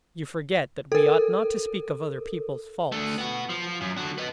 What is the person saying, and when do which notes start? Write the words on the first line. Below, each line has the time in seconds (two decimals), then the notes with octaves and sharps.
"You forget that we ought not to speak of other people's faults."
0.92 A4 A#4
2.92 A3 D4
3.18 B3 F#4
3.49 F3
3.81 F#2
3.97 D3 F#4
4.18 B4 D#5